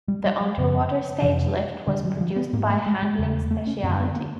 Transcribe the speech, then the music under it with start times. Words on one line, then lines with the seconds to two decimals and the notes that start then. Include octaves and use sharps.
The underwater stage lift was produced by Handling Specialty.
0.08 G3
0.25 G3
0.41 F#3
0.58 F#2 C#3 F3
1.22 F2 C3 E3
1.87 D3 F3
1.91 G2
2.05 F#3
2.21 F3
2.36 B3
2.53 G#2 A#3
2.70 A3
2.86 G#3
3.03 G#3
3.19 E2 C#3
3.51 A3
3.67 C#4
3.83 F#2 C4
3.88 D3
4.00 B3
4.16 A#3